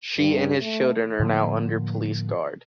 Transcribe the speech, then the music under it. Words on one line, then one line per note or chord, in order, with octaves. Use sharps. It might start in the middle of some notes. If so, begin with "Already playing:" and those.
She and his children are now under police guard.
G2
A3
A2 D3 F3 A#3